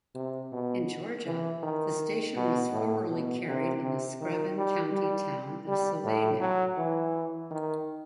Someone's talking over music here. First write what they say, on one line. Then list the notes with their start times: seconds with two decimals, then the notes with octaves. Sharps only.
In Georgia, the station was formerly carried in the Screven County town of Sylvania.
0.15 C3
0.52 B2
1.26 E3
1.63 D#3
2.36 B2
2.72 A2
3.10 B2
3.47 C3
3.83 C3
4.21 D#3
4.57 G3
4.93 G3
5.68 G3
6.04 A2
6.40 F#3
6.78 E3
7.51 D#3